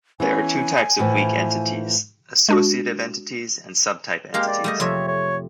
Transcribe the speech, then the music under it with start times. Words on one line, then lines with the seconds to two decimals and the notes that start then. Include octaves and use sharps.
There are two types of weak entities: associative entities and subtype entities.
0.20 E3 B3 C#4 G#5
0.99 A2 E3 F3
2.49 G#3 D4 F#4
4.34 G#3 A#3 G4 F5
4.47 D5
4.64 G3 A3 D#5
4.80 F2 C3 C#5 E5
5.08 C#5